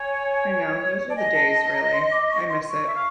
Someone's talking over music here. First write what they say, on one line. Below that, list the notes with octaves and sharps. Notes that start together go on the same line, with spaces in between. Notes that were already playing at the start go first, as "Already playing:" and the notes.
I know, those were the days, really. I miss it.
Already playing: C#5 G#5
D5 A5
D#5 G#5
A5
A5
A#5
C6
D6
C#6
C6
C6
C#6
E5
F5